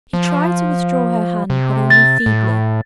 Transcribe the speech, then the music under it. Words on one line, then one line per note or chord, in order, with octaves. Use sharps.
She tried to withdraw her hand, but only feebly.
F3
C3
A6
A2